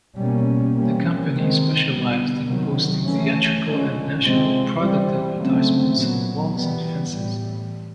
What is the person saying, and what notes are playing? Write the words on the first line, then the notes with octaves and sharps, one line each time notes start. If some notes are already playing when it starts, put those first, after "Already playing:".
The company specialized in posting theatrical and national product advertisements on walls and fences.
B2 G3 A#3 C#4
C3 E3 G3 A#3 C#4
C3 D#3 G#3 C4
D3 G3 B3
C3 D#3 F#3
E3 A3 C#4
D3 F3 G#3 C#4
C3 F3 G#3 C4
E3 G3 C4
C#3 F#3 A3 C4
A#2 F#3 B3
E3 G3 B3
A2 E3 G3